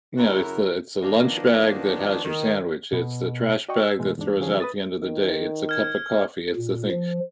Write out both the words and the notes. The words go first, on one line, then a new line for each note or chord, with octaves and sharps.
You know, it's the, it's a lunch bag that has your sandwich, it's the trash bag that throws out at the end of the day, it's a cup of coffee, it's the thing,
F#2 C#3 E4 F#4 A#4
D#3 F3 A#3 B3 D4
D#3
B2
F#4 D5 D#5 G5 C#6
E6
E2 G#2 B2 E3 G#3
E2 G#2 D4
D3 E3 F3 C#4 G#4
B4 D#6 A6
D#3
F6 G#6
A#2
F3